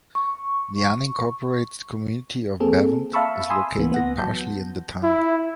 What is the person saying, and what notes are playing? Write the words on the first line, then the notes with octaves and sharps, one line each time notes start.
The unincorporated community of Bevent is located partially in the town.
C#6
A#3 C4 G#4 A4
E5 F5 A5 B5 C#6 E6
G#5 B5 C6 D#6 E6
C#2 E3 A#3 B3
B3 F#5 A#6
F#3 A5 G6
E4